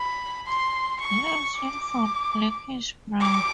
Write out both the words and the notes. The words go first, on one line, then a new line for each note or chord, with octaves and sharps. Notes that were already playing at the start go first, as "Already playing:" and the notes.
Limbs uniform blackish brown.
Already playing: B5
C6
C#6
D6
D6